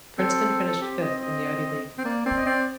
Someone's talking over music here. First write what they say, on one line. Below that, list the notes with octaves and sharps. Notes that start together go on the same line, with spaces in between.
Princeton finished fifth in the Ivy League.
C4 A4
A4
C4 G4
D#5
D#5
C4
A#3 D5
C4 D5
D#5
C4 D5